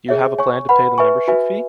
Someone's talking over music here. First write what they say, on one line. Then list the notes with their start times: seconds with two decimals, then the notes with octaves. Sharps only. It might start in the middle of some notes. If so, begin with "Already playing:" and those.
Do you have a plan to pay the membership fee?
0.09 G#4 C#5 E5
0.38 C#5 G#5 C#6
0.69 B4 F#5 B5
0.98 B4 E5 G#5 C#6
1.28 F#4 B4 E5 G#5